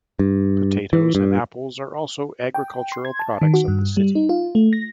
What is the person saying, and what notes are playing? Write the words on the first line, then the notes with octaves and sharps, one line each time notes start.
Potatoes and apples are also agricultural products of the city.
G2
E3
G2
G5
C6
G#6
A5
D#3
F#4
G2
G3
D#4
F4
A3
A#6